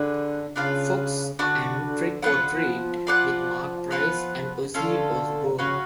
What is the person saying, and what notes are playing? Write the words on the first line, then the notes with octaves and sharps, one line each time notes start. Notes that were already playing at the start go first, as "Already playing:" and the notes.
Fox, and "Trick or Treat" with Marc Price and Ozzy Osbourne.
Already playing: D3 D4 G#4 B4
C#3 D4 F4 B4 F5
D3 D4 F#4 B4
D3
F#3 B3 F4 B4 F#5
F3
D3
F3
F4 B4 D5 F#5
B3 F4 B4 F#5
D3 C#4 F4 A4 F5
C#3 C#4 F#4 B4 F5